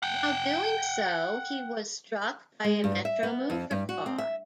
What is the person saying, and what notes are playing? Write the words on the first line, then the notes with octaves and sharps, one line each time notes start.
While doing so he was struck by a Metromover car.
F#5 G5
G#3
G2
E5
B3
F2
G2
F#4
C4
E5